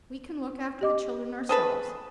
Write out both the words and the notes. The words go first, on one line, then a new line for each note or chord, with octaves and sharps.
We can look after the children ourselves.
G4 D#5 D6
G#4 A4 B4 C5